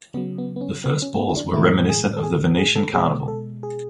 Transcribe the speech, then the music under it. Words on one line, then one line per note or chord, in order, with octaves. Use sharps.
The first balls were reminiscent of the Venetian carnival.
C#3 F#3 B3
B3
B3
C#4
B3
C#4
A3
B3
E4
D4
A2 E3 G#3 E4
G#4
A4
G#4
G#4
A4
B2 G#3 G#4
A4
G#4